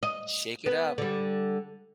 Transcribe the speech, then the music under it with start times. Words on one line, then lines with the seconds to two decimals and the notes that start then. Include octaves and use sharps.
Shake it up.
0.03 D#5
0.66 B3
0.98 D3 G3